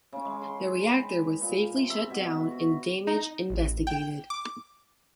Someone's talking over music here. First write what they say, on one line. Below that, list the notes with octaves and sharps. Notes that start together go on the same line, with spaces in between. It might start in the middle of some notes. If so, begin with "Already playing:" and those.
The reactor was safely shut down and the damage investigated.
C#3
G#3
C6
B4
D#4
G4
A#2
C3
E5
B2
F#4
D#4
A1
G5
D6